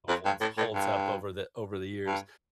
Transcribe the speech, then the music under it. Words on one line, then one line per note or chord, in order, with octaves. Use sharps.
holds holds up over the over the years.
F2
G2
A2
A2
G2
G2